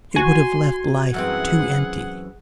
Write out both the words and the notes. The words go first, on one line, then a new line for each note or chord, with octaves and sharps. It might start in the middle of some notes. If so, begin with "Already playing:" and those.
It would have left life too empty.
F#4 G#5 C6
F#2 E3 C4 G#4 F#5